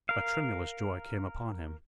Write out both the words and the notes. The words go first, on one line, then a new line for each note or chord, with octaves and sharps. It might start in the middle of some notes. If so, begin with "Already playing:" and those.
A tremulous joy came upon him.
A#4 F5